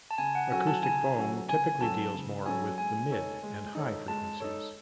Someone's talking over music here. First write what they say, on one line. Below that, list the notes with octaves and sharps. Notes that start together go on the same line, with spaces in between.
Acoustic foam typically deals more with the mid and high frequencies.
A5
C#3 G#5
F#5
F#3 C#4 F#4 A4 G#5
A5
C#3 G#5
F#3 C#4 F#4 A4
C#3 G#5
F#3 C#4 F#4 A4 A5
C#3
F#3 C#4 F#4 A4 G#5
G#3 G#5
D#4 A4 C#5
G#3
D#4 A4 C#5
G#3 A5
D#4 A4 C#5